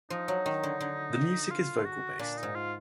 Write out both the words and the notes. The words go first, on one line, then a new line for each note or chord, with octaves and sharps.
The music is vocal based.
F3 D#4
F#3
D#3
D3
D3
F4
F#4
A#2 D4
D#4
G#2
F4